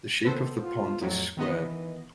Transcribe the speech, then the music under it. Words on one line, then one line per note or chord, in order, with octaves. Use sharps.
The shape of the pond is square.
D#3 B3 A4 C5
F4
F2 A2 F#3
D#3 E3 B3 D#5